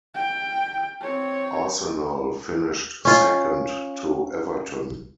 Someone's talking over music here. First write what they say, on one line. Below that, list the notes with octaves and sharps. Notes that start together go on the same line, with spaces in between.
Arsenal finished second to Everton.
G5
C4 C#5
C#4 F4